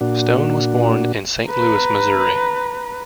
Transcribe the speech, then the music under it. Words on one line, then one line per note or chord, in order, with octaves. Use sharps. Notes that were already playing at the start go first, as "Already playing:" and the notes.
Stone was born in Saint Louis, Missouri.
A#2 D4 F#4
B4 A#5